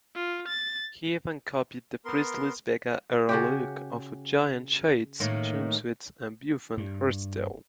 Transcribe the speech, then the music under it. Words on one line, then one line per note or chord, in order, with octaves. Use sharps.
He even copied the Presley's Vegas-era look of giant shades, jumpsuits and bouffant hairstyle.
F4
A6
B3 A#4 C6
C#3 F#4 G4
A2 D#3 A#3
G2